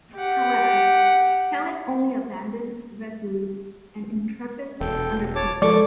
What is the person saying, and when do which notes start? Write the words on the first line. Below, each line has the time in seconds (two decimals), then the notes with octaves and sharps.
However, Kellett only abandoned "Resolute" and "Intrepid" under protest.
0.15 G4 F#5
4.81 E1 A4 G5
5.36 C#5 A5 D6
5.62 F3 G#3 A4 D5 C#6 D6